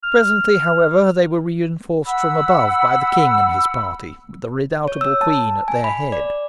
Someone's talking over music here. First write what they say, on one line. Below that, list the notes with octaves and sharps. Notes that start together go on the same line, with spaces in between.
Presently, however, they were reinforced from above by the king and his party, with the redoubtable queen at their head.
F6
F#5 B5 E6
C#5
E6
A5
G#5
B5
D5